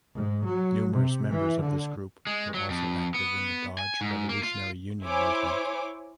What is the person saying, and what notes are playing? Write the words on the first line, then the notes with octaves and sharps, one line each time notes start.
Numerous members of this group were also active in the Dodge Revolutionary Union Movement.
G#2
F#3
C3
E3
D3
G#3
F#3
F2
B3
G#5
G#2
A#3
F4
E4 C5 C#5 G#5 D6